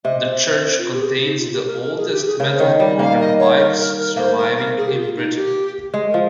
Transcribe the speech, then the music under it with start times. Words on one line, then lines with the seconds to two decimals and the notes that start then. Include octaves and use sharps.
The church contains the oldest metal organ pipes surviving in Britain.
0.04 C3 D#5
0.24 C5
0.44 C5
0.64 C5
0.78 F4
0.92 G4
1.01 G#4
1.08 G4
1.23 D#4
1.38 F4
1.52 G4
1.66 A#4
1.81 A#4
1.96 G#4
2.11 G4
2.25 G#4
2.40 C#3 A#4
2.54 C5
2.60 D#3 C#5
2.79 G3 D#5
2.99 A#3 F5
3.19 D#5
3.38 C#5
3.57 A#4
3.78 A#4
3.97 A#4
4.17 A#3 C5
4.37 A#4
4.56 A#4
4.76 G#4
4.87 G4
4.95 F4
5.16 D#4
5.30 F4
5.35 G4
5.94 G#3 G#4
6.08 A#4
6.14 F3